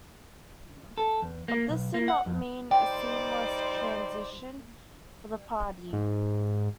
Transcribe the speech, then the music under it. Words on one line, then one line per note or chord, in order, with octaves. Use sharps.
But this did not mean a seamless transition for the party.
A4
E2
A#3
B1
A#3
F#5
F2
G3 D#4 C5 D5 G5
G#2